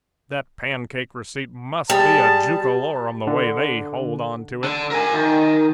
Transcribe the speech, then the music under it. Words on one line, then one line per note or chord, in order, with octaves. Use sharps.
That pancake receipt must be a jookalorum, the way they hold on to it.'
G3 G#4 A5
D3
D3
A#4 G#5
D#3